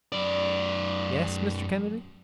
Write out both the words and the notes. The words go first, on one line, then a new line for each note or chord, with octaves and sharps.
"Yes, Mr. Kennedy?"
F#2 D5